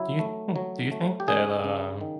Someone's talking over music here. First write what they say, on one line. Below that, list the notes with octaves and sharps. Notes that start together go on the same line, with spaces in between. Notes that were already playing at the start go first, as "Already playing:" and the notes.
Do you think do you think that, uh,
Already playing: C#3 F#3 E4
A3
F#3
A3
G4
C#3 G#4
C#3
D#3